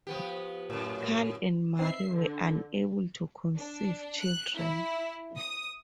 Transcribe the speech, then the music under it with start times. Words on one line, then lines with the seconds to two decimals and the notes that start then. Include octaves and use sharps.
Carl and Marie were unable to conceive children.
0.07 F3 B3 G4
0.70 F#2 A2
1.79 C4 D#4 B4 E5 C7
2.12 D3
3.56 D4
4.20 F#6
4.55 E4
5.37 D#6